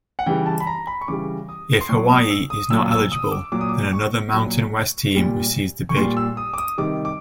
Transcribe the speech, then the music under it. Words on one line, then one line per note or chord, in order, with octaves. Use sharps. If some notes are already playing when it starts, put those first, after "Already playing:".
If Hawaii is not eligible then another Mountain West team receives the bid.
F#5
C#3 E3 G3 G5
A5
B5
A#5
B5
C#6
C#3 E3 G3 D6
D#6
C6
A#2 F#3 C#6
D#6
E6
D#6
A#2 F#3 E6
E6
D#6
D6
A#2 F#3 D6
D#6
D6
C#6
A#2 F#3
A#2 G3
C#6
A#2 G3 C6
E6
D#6
D6
D#6
C3 D#3 G3 D6
D6